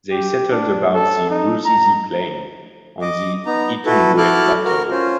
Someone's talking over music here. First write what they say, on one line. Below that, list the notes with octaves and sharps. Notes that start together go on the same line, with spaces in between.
They settled above the Ruzizi Plain on the Itombwe Plateau.
G4
D4
A4
D#4
A#5
D#5 D6
B3 D#4 A#5
E4 F#4 A4 B4
E4 F#4 A4 D6 F6 F#6
F#4 A#4 F6
C#4 F4 C5